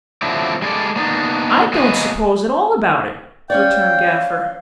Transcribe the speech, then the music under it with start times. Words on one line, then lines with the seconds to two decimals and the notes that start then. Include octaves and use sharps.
'I don't suppose at all about it,' returned Gaffer.
0.22 D3 F3 F#3 C4 D4 E4
0.62 G3 G#3 G#4 A4 D5
0.96 A#3 B3 D4 D#4
1.73 F#3 A#3 B3 G#4 B4 D#5
3.50 C#4 C#5 D5 F5 G5